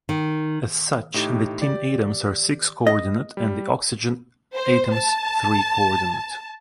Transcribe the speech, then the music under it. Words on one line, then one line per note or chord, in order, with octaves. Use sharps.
As such the tin atoms are six coordinate and the oxygen atoms three coordinate.
D#3
A2 D#4 G4
G4 D5
D#5
G3
C5
A5